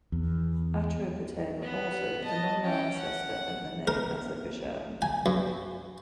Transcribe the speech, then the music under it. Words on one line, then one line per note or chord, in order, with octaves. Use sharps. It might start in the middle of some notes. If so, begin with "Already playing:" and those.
"Atropatene" also was the nominal ancestor of the name "Azerbaijan".
E2
B3
D#5 A5
C#4 G5
F#5
A#4
G#5
F#2